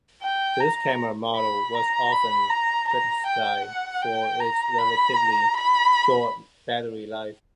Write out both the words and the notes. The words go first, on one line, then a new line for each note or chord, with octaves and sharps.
This camera model was often criticized for its relatively short battery life.
G5
A#5
B5
A#5
B5
A#5
A#5
G5
F#5
G5
A#5
B5
A#5
B5